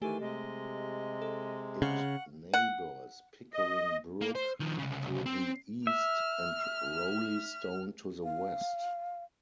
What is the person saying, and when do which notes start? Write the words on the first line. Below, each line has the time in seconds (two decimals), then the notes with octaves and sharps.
It neighbours Pickering Brook to the east and Roleystone to the west.
0.02 D#3 E3 A3 G4 A4 G#5
0.20 C3 G#3 D#5
1.22 A4
1.82 C#3 F5 F#5 C#6 F6
2.54 F#5
3.53 D#5
4.22 A#3
4.35 C5
4.60 D#3 F3
4.79 C2 C#3
5.26 C4
5.87 E5 F6
8.24 F5